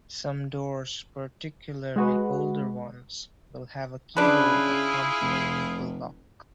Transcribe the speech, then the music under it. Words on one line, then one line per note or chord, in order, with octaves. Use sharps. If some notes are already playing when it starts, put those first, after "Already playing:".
Some doors, particularly older ones, will have a keyhole accompanying the lock.
G#3 F#4 B4
C#3 D4 E4 F4 G#4 B4
F1